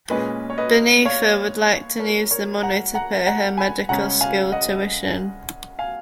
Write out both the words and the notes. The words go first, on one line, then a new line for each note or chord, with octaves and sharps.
Beneatha would like to use the money to pay her medical school tuition.
A#2 G#3 C#4 B4 D#5
C#5
B4 D#5
C#5 F5
A#4 C#5
A#4 C#5
F#5 A#5
F#5 A#5
F#5 A#5
G#5 B5
C#3 G#3 C#4 F#5 A#5
F5 G#5
D#5 F#5
F5 G#5